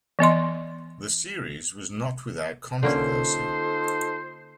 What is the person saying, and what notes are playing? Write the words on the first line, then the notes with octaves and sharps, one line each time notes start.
The series was not without controversy.
E3 B3 D#5 C6
D3 A#3 C#4 D#4 F4 A4 C5